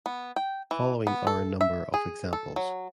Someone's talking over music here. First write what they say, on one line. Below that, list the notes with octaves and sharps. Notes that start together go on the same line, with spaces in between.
Following are a number of examples.
B3
G5
E3
B3
A4
E5
G#4
A4
F#3